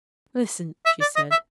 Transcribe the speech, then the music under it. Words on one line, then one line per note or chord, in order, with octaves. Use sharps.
"Listen," she said.
E5
D5
D#5
E5